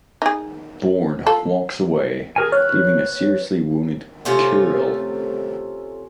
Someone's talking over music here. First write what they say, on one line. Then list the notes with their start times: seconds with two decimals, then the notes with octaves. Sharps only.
Bourne walks away, leaving a seriously wounded Kirill.
0.22 D#4 G#4
1.26 F4 A4
2.36 G#4 A#4 G#5
2.52 B4 C#5 F6
4.25 C3 A3 C#4 F4